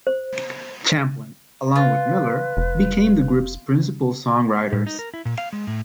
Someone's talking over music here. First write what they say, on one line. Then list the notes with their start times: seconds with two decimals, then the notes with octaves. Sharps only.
Champlin, along with Miller, became the group's principal songwriters.
0.07 C5
1.76 F4 B4
2.57 F1
4.72 A2
4.87 D#4
4.99 A#4
5.14 E4
5.25 A#2
5.38 F5
5.53 G#3
5.67 A2